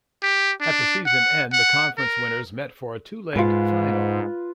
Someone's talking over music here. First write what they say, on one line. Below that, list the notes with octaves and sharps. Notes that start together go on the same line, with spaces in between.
At the season end, the conference winners met for a two-legged final.
G4
D4
F#5
F#5
A#4
G#2 F4 B4